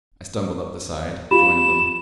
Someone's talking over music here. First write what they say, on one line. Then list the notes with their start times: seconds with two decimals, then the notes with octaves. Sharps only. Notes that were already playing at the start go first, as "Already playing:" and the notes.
I stumbled up the side; joined them.
1.31 F4 G4 B5 E7